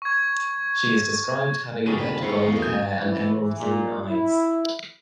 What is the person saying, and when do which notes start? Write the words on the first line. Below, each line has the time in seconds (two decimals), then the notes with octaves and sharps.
She is described having red-gold hair and emerald green eyes.
0.02 C#6 G#6
1.86 B1 D3 D#3 G#4 A#4 C#5 D#7
1.98 G1 D#2 C#3 B4
2.22 G#2 B3 E4 F4 C5 C#5
2.48 E2 A2 A#3
2.59 F#2 G#5 D#6 G6
3.01 E3
3.59 A#2
4.08 E4